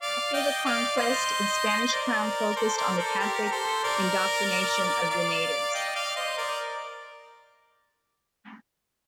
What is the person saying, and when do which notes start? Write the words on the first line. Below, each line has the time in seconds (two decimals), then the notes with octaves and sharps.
After the conquest, the Spanish crown focused on the Catholic indoctrination of the natives.
0.02 D5 F5
0.33 D#5 G5
0.66 D5 F5
0.97 C5 D#5
1.93 A#4 D5
2.56 A4 C5
2.77 A#4 D5
2.98 A4 C5
3.20 G4 A#4
3.46 A#4
3.51 A4 C5
3.84 A#4 D5
5.10 D5 F5
5.74 D#5 G5
5.95 D5 F5
6.10 D5
6.16 C5 D#5
6.37 A#4 D5